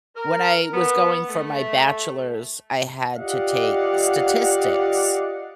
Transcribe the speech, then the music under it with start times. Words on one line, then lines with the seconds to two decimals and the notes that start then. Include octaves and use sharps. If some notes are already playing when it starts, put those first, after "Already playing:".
When I was going for my bachelor's, I had to take Statistics.
0.16 A#4
0.72 B3
1.28 A3
3.17 F4 G4 D5 D#5 F5 F#5